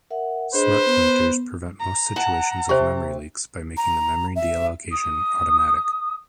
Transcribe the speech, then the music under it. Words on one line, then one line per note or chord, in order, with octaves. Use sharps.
Smart pointers prevent most situations of memory leaks by making the memory deallocation automatic.
A#4 E5 F#5
D4 G#4 B4 C5 D#5
B3
A#5
F#5 A5
C3 G4 C5
A#5
E5
D#6